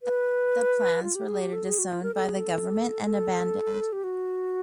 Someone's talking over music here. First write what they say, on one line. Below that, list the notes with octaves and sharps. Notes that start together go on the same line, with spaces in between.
The plans were later disowned by the Government and abandoned.
B4
F4
G4
G#4
G4
A4
G#4
F#4
F4
A#4
A4
G#4
A4
A4
G4
F#4